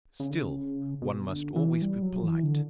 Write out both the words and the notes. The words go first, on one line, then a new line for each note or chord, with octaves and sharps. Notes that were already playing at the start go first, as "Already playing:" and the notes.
Still one must always be polite.
C#3
D3
C#3
B2
D3
E3
G3
F#3
E3
D3